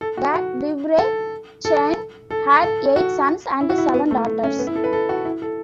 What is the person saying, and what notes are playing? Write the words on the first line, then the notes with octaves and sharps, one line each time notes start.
The "Divrei Chaim" had eight sons and seven daughters.
A4
F#4
F#4
A4
A4
A4
A4
F#4
E4
F#4
E4
B3
A3
A3
C#4
B3
E4
A4
B4
A4
F#4
E4
A4